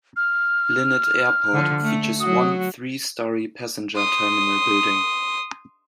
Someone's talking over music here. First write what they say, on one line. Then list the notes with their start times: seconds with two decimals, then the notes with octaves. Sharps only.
Linate Airport features one three-story passenger terminal building.
0.17 F6
1.53 D3 F3
1.82 A3
2.20 F#3 F#4 D#6
3.96 C6 D#6